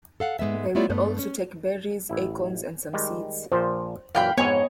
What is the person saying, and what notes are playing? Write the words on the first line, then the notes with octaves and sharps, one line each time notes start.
They will also take berries, acorns, and some seeds.
A4 F5 F#5
G#2 G#3 B3 E5
A3 B3 E4 F4 C#5 D5
G2 A3 B3
C#4
A1 E4
D#3 G3 G#3
A#1 A#2 F3 C5
F#2 A#2 E3 F5 G5 B5
F2 G#2 B3 C#5 D#5 G#5